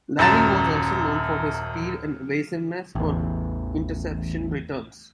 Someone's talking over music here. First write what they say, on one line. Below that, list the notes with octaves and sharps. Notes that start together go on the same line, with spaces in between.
Lary was also known for his speed and evasiveness on interception returns.
D#1 F#2 A5 A#5 A6 E7
A1 E2